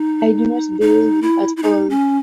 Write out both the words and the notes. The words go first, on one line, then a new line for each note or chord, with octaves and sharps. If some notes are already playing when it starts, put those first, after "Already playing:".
I do not believe him at all!
Already playing: D#4
D#4
E4
E4
D#4
C#4